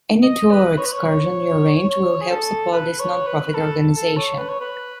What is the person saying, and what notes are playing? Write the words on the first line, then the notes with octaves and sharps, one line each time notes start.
Any tour or excursion you arrange will help support this non-profit organization.
D#5
B4
C#5
B4
C#5
C#5
G#4
A4
B4
C#5
B4
A4
A4
C#5
B4
C#5
B4